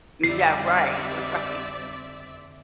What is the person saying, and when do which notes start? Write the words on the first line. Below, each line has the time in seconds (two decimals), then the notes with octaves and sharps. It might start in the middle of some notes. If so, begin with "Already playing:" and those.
Yeah, right, right.
0.24 F2 D3 G3 C4 D#4 D5 E5 C7